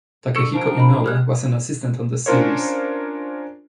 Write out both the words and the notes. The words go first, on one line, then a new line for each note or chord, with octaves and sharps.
Takehiko Inoue was an assistant on the series.
D3 A4 C#6
F3 D4 A#4 G5
D#5 B5
G#3 G4 F6 F#6
C#4 D4 F4 A#4 C5 C#5